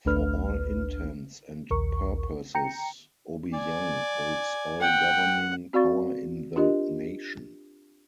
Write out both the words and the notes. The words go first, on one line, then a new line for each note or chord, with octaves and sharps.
For all intents and purposes, Obiang holds all governing power in the nation.
A1 D2 A3 D4 B4 F6
A#1 D#2 A#4 C#6
G5 A#5 C#7
D5 G#5
F#5 G5
C4 F#4 D5 F5 C#6 A6
D4 F4 G4 A#4 D#5